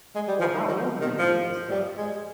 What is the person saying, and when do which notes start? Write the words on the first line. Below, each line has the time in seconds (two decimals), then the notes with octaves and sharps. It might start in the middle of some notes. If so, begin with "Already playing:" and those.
Well, how old were you at this time?
0.15 G#3
0.28 G3
0.41 F3
0.54 D#3
0.68 D#3
1.01 D#3
1.19 F3
1.71 G3
1.98 G#3